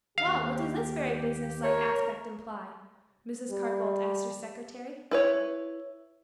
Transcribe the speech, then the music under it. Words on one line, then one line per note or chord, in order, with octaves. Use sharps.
"Well, what does this very businesslike aspect imply?" Mrs. Carr-Boldt asked her secretary.
D#2 G4 F5
A#4 C#5
G3
E4 B4 C#5